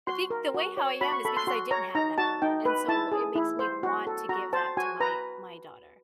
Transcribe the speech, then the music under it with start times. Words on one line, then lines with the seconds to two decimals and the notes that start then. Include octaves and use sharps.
I think the way how I am is because I didn't have that, and so it makes me want to give that to my my daughter.
0.07 F#4 C6
0.30 A#4
0.54 F#4
0.77 C#5
1.01 F#4 B5
1.12 C#6
1.25 A4 B5
1.37 C6
1.47 F#4 C6
1.71 C#5 A#5
1.95 D#4 A#5
2.18 F#4 A5
2.42 D#4 G5
2.65 B4
2.88 E4 A5
3.12 G#4
3.35 E4
3.59 C5
3.83 F#4
4.07 A4
4.29 F#4 A#5
4.53 C5 A5
4.77 F#4 G#5
5.00 B4 A#5